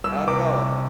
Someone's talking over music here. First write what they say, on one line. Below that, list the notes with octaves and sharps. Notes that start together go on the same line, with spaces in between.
Not at all.
C2 E6
C3 D6